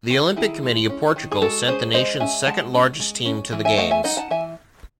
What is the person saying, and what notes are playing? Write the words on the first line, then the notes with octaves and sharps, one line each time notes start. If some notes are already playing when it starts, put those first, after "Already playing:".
The Olympic Committee of Portugal sent the nation's second-largest team to the Games.
D#3
F#4
D#3 E4 G#4
G#3
C#4
D#3
G#4
G#3 F#4 A4
C#4 G#4 C5
G#3 C5 D#5
C#4 E5 G#5
G#3 F#5 A5
C#4
G#3
C#4
E3
E5 G#5
A3 D#5 F#5
E5 G#5
D#4 D#5 F#5
F#5 A5
E3 E5 G#5